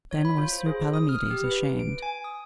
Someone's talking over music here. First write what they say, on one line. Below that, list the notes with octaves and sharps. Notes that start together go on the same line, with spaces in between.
Then was Sir Palomides ashamed.
C#5
B5
F4
C5
G#4
D#6
F6
G4
B4
D7
G#5
D#6